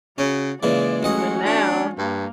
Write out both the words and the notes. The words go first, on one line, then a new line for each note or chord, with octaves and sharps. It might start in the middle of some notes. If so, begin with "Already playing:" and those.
But now
C#3 C#4 F#4
A#2 C#3 E3 G#3 D5
A1 C#4 F#4 D#5 F#5
D4
G2 A#3